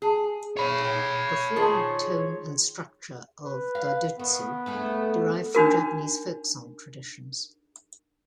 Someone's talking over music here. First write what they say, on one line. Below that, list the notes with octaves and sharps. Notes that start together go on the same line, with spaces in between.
The form, tone and structure of Dodoitsu derive from Japanese folk song traditions.
G#4
C#5 B5
D#3 F3 G#4
B4
F5
D#3 B3
D2 A3 G#4
D4 D#4 F#4 A#4